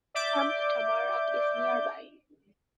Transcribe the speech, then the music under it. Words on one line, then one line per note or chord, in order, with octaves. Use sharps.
Camp Tamarack is nearby.
D5 E5 D6 G6